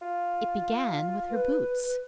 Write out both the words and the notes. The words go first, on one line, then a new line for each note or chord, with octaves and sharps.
It began with her boots.
F4
B4